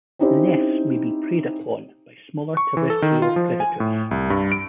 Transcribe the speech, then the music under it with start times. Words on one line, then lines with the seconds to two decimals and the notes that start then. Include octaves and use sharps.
The nests may be preyed upon by smaller terrestrial predators.
0.19 C4 C#4 D#4 E4 G4 C5
2.57 C#6
2.77 E3
2.90 A4
3.02 D#3
3.22 F4
3.36 F3
3.60 G#5
3.80 A2
4.11 C2
4.30 G2
4.52 D7